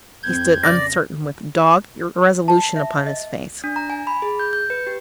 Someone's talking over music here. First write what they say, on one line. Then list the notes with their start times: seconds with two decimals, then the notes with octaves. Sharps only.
He stood uncertain, with dogged irresolution upon his face.
0.23 F2 C4 G6 G#6
0.63 C#3 D5 A#6
2.48 A5
2.76 E5
3.06 D#5
3.64 D4
3.76 A#5
3.90 G#5
4.07 B5
4.22 G#4
4.40 G6
4.53 G6
4.70 B4
4.87 G4